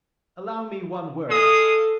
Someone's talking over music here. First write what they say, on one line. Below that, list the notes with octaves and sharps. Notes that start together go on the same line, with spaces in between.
Allow me one word.
G#3 A4 F5 D#6